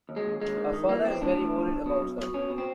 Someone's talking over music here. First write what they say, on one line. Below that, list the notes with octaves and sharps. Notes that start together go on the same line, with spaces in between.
Her father is very worried about her.
D#2
G#3
D#2
D#2 G#3
D#3
D#3
E3 A#3
B1 C4
A2 D4
A2
B1
B1
B2
B1
B2
B2 C#4
B2
C4